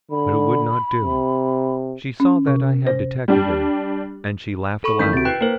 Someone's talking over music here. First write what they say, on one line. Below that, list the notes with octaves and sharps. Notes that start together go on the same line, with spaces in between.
But it would not do: she saw that I had detected her, and she laughed aloud.
D3 B5
C3
C#4
C3
C5
G3 D4 G4
A4 B5 C#6
A1 D#3 G6 B6
C3 F#4 A6 D7
B4 G5 F#6
A#3 B4 C5